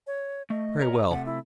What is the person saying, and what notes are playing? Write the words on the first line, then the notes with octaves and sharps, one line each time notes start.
Very well.
C#5
A3 D#5
A#4 C#5 A#5
C3 A3 F#5
E4